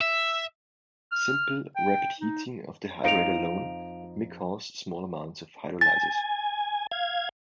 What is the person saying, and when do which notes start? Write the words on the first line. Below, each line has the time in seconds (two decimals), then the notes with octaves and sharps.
Simple rapid heating of the hydrate alone may cause small amounts of hydrolysis.
0.01 E5
1.12 F6
1.76 G5
2.21 D#4
3.04 F2 F3 D#4 F5 D7 F7
5.81 G#5 A6
6.92 F5 G#6